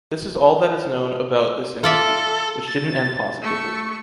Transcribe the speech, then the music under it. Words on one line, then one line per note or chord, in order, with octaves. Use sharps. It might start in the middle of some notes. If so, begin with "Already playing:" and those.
This is all that is known about this interview, which didn’t end positively.
F4 A4 D5 E5
A6
A3 C#6